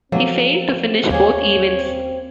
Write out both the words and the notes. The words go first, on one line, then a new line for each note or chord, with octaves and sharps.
He failed to finish both events.
F3 F#3 A#3 C4 A4
D#2 A#3 C#4 G#4 C#5
C4